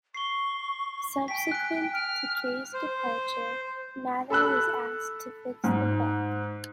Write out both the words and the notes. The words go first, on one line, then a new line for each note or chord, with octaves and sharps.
Subsequent to Kaye's departure, Nather was asked to fix the bug.
C#6 C7 G7
G5 G#5 B6
F#6 D7
F6
C5
A4 B5 E6 F#6
G#2